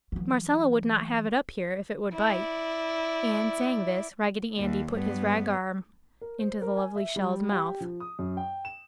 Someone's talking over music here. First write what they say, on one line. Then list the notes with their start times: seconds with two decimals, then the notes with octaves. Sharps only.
"Marcella would not have it up here if it would bite!" And, saying this, Raggedy Andy put his rag arm into the lovely shell's mouth.
0.12 E3 F#3
2.13 E4 D5
4.58 D#2
4.95 G2 B3
6.21 A#4
6.39 C5
6.62 A#4
6.77 G#5
6.96 E5
7.16 G3
7.52 G4
7.81 F3
8.00 D#6
8.19 F#2
8.37 G5
8.65 E7